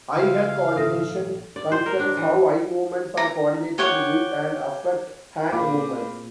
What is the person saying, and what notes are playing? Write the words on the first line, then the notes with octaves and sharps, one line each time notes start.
Eye-hand coordination concerns how eye movements are coordinated with and affect hand movements.
C#3 F4 C5 E5 F5 C7
G#1 A#2 F3 A4 E5
D5
C5
A#4
D4
E3
A#5
G4 C#5 F#5
A#2 C4 G#4 F5 B5 D6